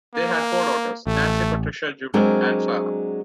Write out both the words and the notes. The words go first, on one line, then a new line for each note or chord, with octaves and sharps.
They had four daughters: Nancy, Patricia, Judith, and Sara.
A#3
A1 A3
F#3 G#3 C4 D4 A#4